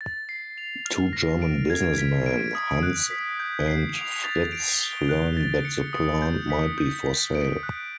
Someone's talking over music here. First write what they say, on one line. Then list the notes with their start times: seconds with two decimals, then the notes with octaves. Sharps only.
Two German businessmen, Hans and Fritz, learn that the plant might be for sale.
0.01 A6
0.29 C7
0.58 F7
0.86 F6
1.13 A#6
1.42 D7
1.70 G#6
1.98 B6
2.26 D7
2.55 D#6
2.83 F#6
3.11 B6
3.40 G6
3.68 C7
3.96 F7
4.24 A6
4.52 D7
4.81 G7
5.09 F#6
5.37 A6
5.65 C#7
5.93 D#6
6.22 G6
6.50 B6
6.78 G6
7.06 B6
7.35 D7
7.63 F#6